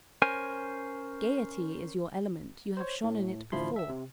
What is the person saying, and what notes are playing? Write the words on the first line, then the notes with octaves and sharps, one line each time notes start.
Gaiety is your element, you have shone in it before.
C#4 A#4 C5 G#5
C5 C#5
A2
A1 D2 F3 E4 B5 C6
E5 E6
C3